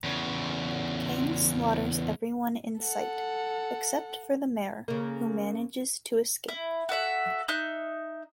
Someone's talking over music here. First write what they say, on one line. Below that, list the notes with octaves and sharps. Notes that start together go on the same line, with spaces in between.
Cain slaughters everyone in sight, except for the mayor who manages to escape.
E2 C#3
A4 F#5
C#3 A#3
E4
F#4 A4 E5 F#5
D#4 E5 F#6 G6